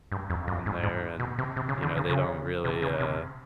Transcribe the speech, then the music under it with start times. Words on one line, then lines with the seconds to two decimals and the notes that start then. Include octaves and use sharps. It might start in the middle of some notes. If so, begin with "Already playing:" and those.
on there, and, you know, they don't really, uh
0.12 G2
0.30 F2
0.48 F#2
0.66 G#2
0.83 G#2
1.20 B2
1.38 C3
1.56 C3
1.69 C#3
1.82 D3
1.97 C#3
2.10 C#3
2.65 C3
2.82 C#3
3.00 C3